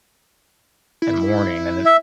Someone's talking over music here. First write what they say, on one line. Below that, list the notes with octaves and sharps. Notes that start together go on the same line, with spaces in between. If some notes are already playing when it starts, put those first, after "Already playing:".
and morning, and it
E4
E5